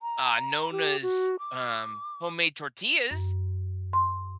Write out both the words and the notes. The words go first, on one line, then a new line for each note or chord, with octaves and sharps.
uh, Nona's, um, homemade tortillas.
A#5
G4
F#4
D6
F#2
C6